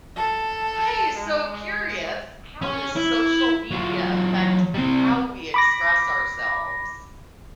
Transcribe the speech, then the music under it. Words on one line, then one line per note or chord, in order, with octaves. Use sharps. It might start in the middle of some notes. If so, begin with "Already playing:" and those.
Hi! So, curious, how does social media affect how we express ourselves?
A4
G#3
C#4 C#5
E4
F#3 F4
G3 C4
B5 D6 A#6